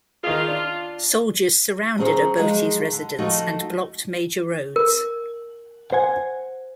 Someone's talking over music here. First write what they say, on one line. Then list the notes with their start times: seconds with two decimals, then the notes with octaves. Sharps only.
Soldiers surrounded Obote's residence and blocked major roads.
0.23 D#3 F4 G#4
0.48 D4
1.98 D2 F#3 C#4 G#4 C5 A#5
2.37 F3 F#3 G#3 D#4
2.92 D3
3.18 F3 A3 D#4 F#4
4.76 A#4
5.92 C5 F#5 G#5